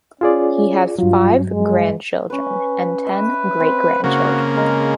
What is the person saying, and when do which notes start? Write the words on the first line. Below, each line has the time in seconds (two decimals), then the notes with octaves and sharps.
He has five grandchildren and ten great-grandchildren.
0.21 C#4 F4 G#4 D5
0.99 G2 F#3 F4
1.51 G#3
2.30 C#4 B4
3.07 B4 E5
3.60 C4
4.04 C#3 A#3 F#4
4.56 G#3 A#4